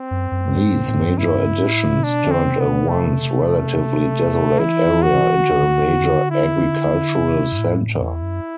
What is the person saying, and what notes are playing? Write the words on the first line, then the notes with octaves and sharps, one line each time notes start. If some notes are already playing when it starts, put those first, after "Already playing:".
These major additions turned a once relatively desolate area into a major agricultural center.
Already playing: C4
F#2
F#2
G2
A2
A2
G2
F#2
G2 E4
A2
B2 D4
D3
C4
C3
B3
B2
C3 A3
E3 E4
F#4
D3
E4
C3
G2
A2
E2 E4
F#2